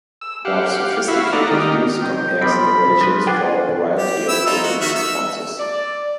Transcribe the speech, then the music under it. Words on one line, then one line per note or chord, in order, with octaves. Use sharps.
More sophisticated use compares the ratios for a variety of different responses.
E6
G4 F5 F#5
E4 F#4 E5 F5
D#4 D5 F#5 A#5
D#3 G4 A#4 D#5
C3 F#3 D#4 G5
F3 G3 B3 C4 B5
F3 F#3 B4
D4 F4 G#4 F#5 G5 D6
G4
E4 E6
D#4 F4
F#4
D#3 F#4 E5
E6
D5